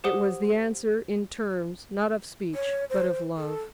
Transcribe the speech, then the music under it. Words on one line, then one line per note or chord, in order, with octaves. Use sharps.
It was the answer, in terms, not of speech, but of love.
G4 C5 F#5 D#6 G7
C#5
C5
A4